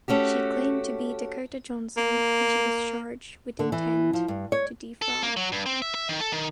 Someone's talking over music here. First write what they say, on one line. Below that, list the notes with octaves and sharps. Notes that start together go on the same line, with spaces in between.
She claimed to be "Dakota Johnson" and she was charged with intent to defraud.
A3 C#4 F#4 G4
A#3
D3
E3
F3
G2
C#5
A4
A#3
F#3
G2
C4
E5
E5
D#3
A4
D#3